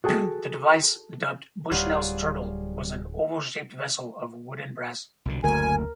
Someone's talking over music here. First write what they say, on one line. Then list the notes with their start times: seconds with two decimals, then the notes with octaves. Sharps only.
The device, dubbed Bushnell's Turtle, was an oval-shaped vessel of wood and brass.
0.04 F#4 G#4 A4 G5
1.72 D1 F#3 G3 F4 G#4
5.25 C2 B2 D3
5.44 F#1 D2 A#4 G#5